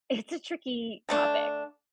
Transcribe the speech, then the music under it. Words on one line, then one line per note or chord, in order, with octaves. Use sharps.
it's a tricky topic,
D3 A3 D4